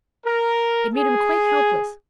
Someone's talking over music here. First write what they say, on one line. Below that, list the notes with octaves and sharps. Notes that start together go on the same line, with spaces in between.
It made him quite helpless.
A#4
G#4